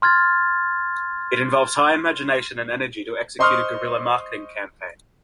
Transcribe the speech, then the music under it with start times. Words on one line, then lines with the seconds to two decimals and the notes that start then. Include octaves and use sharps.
It involves high imagination and energy to execute a guerrilla marketing campaign.
0.02 C6 F6 G#6 A6
3.39 C5 D#5 C6 C#6 D#6 F6